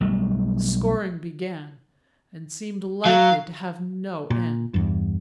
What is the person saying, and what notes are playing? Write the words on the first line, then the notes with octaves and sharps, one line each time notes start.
The scoring began, and seemed likely to have no end.
B1 G3 A3
F#3 F5
A#2
E2 G2